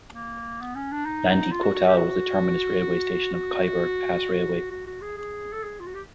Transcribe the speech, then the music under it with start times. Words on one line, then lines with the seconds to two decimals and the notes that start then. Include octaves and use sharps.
Landi Kotal was the terminus railway station of Khyber Pass Railway.
0.15 A#3
0.61 B3
0.75 C#4
0.91 D4
1.06 D#4
1.29 D#4
1.52 F4
1.63 F#4
1.75 F#4
1.87 G4
1.97 F#4
3.34 F#4
4.71 F#4
4.87 F#4
5.01 G#4
5.17 G#4
5.53 A4
5.63 G#4
5.79 F4
5.87 F#4
5.94 G4